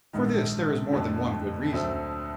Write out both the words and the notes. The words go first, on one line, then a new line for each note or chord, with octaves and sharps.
For this there is more than one good reason.
A#1 G#2 D#3
F2 D3 F#3 A3
D2 D3 F#3 A3 C4